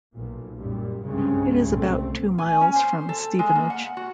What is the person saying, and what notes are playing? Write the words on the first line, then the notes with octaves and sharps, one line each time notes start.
It is about two miles from Stevenage.
B1 A#2
F#2 A#2 G3
C2 G2 C#3 G#3 C4 C#4
C2 A#2 A3 C4
G#5
C#4
C5
A4
G#3
A#3
F#5
F#4